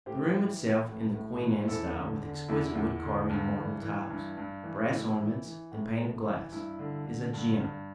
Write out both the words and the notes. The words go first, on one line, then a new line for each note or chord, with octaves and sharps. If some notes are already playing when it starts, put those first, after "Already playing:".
The room itself in the Queen Anne style, with exquisite wood-carving, marble tiles, brass ornaments, and painted glass, is a gem.
A2 G4 C5
E3
E3
A2
A2
E3
C5
E2 E4 A4
D3
D3
E2 E4
E2
D3
G2
E3
E3
G2
G2
E3
A2 E4
E3
E3
A2
A2
E3
G2 E4
D3
D3
G2
G2